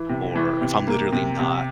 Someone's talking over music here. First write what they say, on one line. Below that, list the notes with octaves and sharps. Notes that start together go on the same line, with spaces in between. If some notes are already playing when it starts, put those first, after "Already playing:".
or if I'm literally not
Already playing: E3
C3
E3
C3
A#3
C3
C3